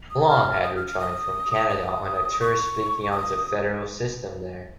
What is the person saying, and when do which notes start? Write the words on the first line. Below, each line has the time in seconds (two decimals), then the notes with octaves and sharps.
Long had returned from Canada on a tour speaking on the federal system there.
0.10 D#6
0.28 F6
0.63 D#6
0.76 F6
0.87 F6
0.99 D#6
1.70 D#6
2.41 C#6
3.12 D#6